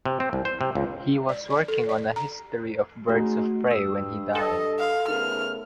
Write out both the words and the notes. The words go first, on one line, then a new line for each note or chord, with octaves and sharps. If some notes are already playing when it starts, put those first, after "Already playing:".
He was working on a "History of Birds of Prey" when he died.
C3
C4
C2
C5
C3
C#2
D5
D5
A4
D5
A#5
G#3 A3 C#4 D#4 F#4
G2 D#6 E6
A4 D#5
F5
C#3 A3 B3 D#4 A#4 F6